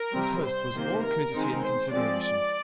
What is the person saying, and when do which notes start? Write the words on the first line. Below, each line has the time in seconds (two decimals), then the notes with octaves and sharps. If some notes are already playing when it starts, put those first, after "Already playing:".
His host was all courtesy and consideration.
Already playing: A#4
0.13 C3 G3 C4
0.43 C5
0.72 C3 D#3 A#3
1.03 A#4
1.33 D#3 G#3 C4 D#4
1.63 C5
1.92 F3 G#3 C4 D5